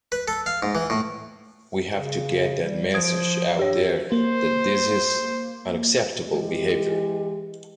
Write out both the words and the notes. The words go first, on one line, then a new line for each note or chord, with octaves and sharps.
We have to get that message out there that this is unacceptable behaviour.
B4
A4
F5
G#2
E3
A2
C#3
G3
F3 D#6 G#6 D7
G2 G4 C#5
A#3 C5
E3 G#3 G4